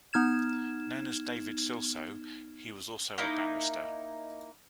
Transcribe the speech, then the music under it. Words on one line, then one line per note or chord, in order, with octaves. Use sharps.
Known as David Silsoe, he was also a barrister.
B3 D#4 F6 G#6 E7
A#3 D#4 E4